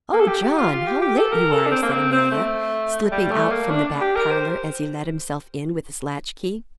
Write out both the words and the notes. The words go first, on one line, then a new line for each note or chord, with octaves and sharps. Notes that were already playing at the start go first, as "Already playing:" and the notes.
"Oh, John, how late you are!" said Amelia, slipping out from the back parlour as he let himself in with his latch-key.
A#3
A4
G4
G4
F4
F4
G4
G4
A4
A#4
A4
D4
C4
A#3
C4
C4
A3
G3
A3
A#3
D4
G4
A#4
C5